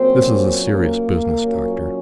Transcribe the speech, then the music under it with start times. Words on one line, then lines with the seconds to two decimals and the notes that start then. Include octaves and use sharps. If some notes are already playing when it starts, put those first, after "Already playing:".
"This is a serious business, Doctor."
Already playing: A#2 F#3 A#3 C4 C#4 C5
0.63 A#3 A#4
1.41 A#2 F#3 C#4